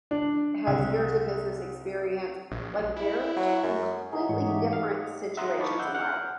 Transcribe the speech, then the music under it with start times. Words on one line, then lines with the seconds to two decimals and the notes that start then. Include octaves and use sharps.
has years of business experience. Like they're to in completely different situations in life.
0.11 D4
0.67 C2
2.51 A#1
2.96 E4
3.36 F#3
3.63 F#2
4.12 F#3 D#4 G#4
4.29 G#2 E3 C#5
4.47 A3 G4
4.73 F5
5.37 E5 F#5 A#5 C6 D#6
5.59 D#4 F4 A5 B5 C#6 D6
5.79 F#5 E6 G6
5.95 F#5 F6 G6